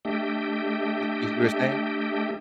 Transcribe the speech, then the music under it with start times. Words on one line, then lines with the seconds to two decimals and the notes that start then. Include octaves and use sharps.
The You were saying?
0.05 A3 D4 G4 D#5 E5 G5